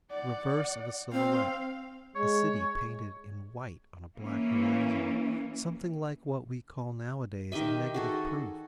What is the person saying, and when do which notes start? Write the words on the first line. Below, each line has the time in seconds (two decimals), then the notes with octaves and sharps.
The reverse of a silhouette--a city painted in white on a black horizon, something like what we call nowadays a negative proof.
0.11 D5 F#5
1.12 C4 F5 G5
2.16 G#3 C#5
4.18 E3 A#3 C#4
7.52 D#3 G4 D#5 E5
7.94 F#4 G#4 A4